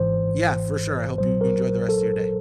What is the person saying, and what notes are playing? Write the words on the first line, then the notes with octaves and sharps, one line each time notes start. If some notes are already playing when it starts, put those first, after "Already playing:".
Yeah, for sure. I hope you enjoy the rest of your day.
Already playing: G#1 G#2 E3 C5
A#1 A#2 F#3 C5
A#4
A4